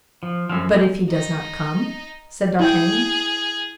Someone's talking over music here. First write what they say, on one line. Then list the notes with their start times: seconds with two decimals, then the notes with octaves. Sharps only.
"But if he does not come?" said d'Artagnan.
0.23 F3
0.50 F#2 F3 C#4 E6 F6
0.71 A#2 G#3 A3 C5
1.09 D#4
2.60 E4 G#4 G5